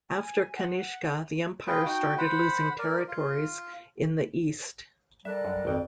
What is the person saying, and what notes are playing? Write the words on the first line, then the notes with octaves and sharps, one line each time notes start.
After Kanishka, the empire started losing territories in the east.
G#5
F#5
F4 G#4 B4 G5
D#4 F#4 G5
C5 F#5 B5
A#4 D5
F4
G3 A4 A#4 D5 E5 F#6
F#2
G#1 F2 G5